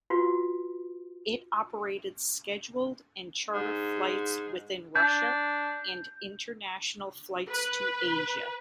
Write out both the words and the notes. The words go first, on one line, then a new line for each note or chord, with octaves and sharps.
It operated scheduled and charter flights within Russia, and international flights to Asia.
F4 F#4 B4
G#2
D4 G6
B4